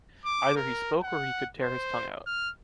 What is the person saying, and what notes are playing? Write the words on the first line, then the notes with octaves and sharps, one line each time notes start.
Either he spoke or he could tear his tongue out.
D6
A#4
F#5
C5
F6